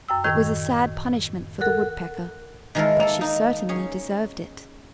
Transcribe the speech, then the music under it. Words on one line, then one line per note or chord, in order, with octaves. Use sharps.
It was a sad punishment for the Woodpecker, but she certainly deserved it.
F#2 G5 E6
A2 D#3 G5 G#6
A4 A#4 F#5 F#6
D#3 E3 G#3 F4 A4 A#4
A#3 A4
D#4
C#4 G#4